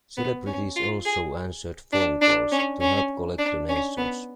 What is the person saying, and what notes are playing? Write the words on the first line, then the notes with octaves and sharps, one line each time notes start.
Celebrities also answered phone calls to help collect donations.
B3
C#4
F4
G#4
D4
D4
C#4
C#4
D4
C#4
B3